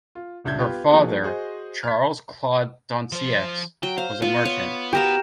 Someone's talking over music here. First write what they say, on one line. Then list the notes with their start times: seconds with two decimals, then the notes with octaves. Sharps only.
Her father, Charles Claude Doncieux, was a merchant.
0.15 F4
0.44 D#1 C#2 D4 E5 G6 G#6
0.57 B3 F4 G4 B4
0.90 F3 A#3 D#4 F#4 G#4
1.23 F#4 G#4 C5 D#5
1.83 F6 B6
3.12 F3 C5
3.83 F#3 G5
3.98 C5 F5
4.22 B3 F4
4.45 C#5
4.93 F#4 G4 A#4 F5 E7